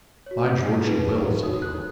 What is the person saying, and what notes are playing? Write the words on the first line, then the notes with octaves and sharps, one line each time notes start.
"By George, he will," said the earl.
F#4 C#5
D#4 G#4 B4
D#4 F#4 C#5 D#6
D#6
F#6